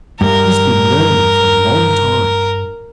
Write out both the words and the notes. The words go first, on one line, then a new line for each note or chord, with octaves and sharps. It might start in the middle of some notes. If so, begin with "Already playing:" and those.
"He's been learning for a long time."
G2 A#4